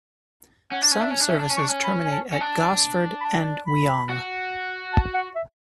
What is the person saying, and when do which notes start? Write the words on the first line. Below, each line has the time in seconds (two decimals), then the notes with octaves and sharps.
Some services terminate at Gosford and Wyong.
0.72 C#4 F#5
0.82 D4
0.91 C#4
1.00 D4 E5
1.11 C#4
1.21 D4
1.28 C#4 E5
1.40 D4
1.50 C#4
1.56 D4 C#6
1.69 C#4
1.84 B5
2.05 G#5
2.12 A5
2.32 C#4
2.41 D4 A5
3.21 B5
3.25 A5
3.67 B5
4.09 F#4
4.93 A5
5.14 F#5
5.35 E5